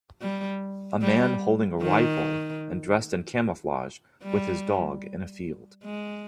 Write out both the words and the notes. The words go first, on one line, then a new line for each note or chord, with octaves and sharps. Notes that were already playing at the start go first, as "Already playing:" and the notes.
A man holding a rifle and dressed in camouflage with his dog in a field.
G3
G3
D#3
G3
G#3